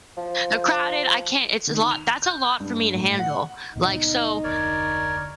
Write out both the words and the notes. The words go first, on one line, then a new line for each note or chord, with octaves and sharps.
they're crowded. I can't, it's a lot that's a lot for me to handle. Like, so
F3
D#3
F7
G6
G2
A2
F#5
C#2 A#2 B3 D#4
F1 D2 A#4 C#5 D5